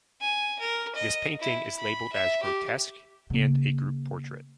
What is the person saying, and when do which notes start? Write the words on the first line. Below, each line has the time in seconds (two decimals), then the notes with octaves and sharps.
This painting is labelled as "grotesque" and "a group portrait".
0.21 G#5
0.59 A#4
0.95 D#5
1.40 E4
1.78 B5
2.13 E5
2.43 G4
3.30 C#3 A#3